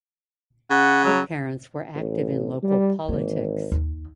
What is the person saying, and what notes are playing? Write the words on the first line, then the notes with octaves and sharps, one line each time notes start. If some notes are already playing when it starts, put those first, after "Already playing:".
Her parents were active in local politics.
C#3 F#5
F#3
A1
G3
G#1 E3 A#3
D#2